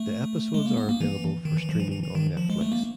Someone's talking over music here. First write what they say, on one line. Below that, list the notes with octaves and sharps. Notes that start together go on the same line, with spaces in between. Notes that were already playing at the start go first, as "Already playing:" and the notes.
The episodes are available for streaming on Netflix.
Already playing: A3
G#3
A#3
B3
A#3
E3
D#3
E3
F3
E3
E3
E3
D#3
F3
G#3
A3
A#3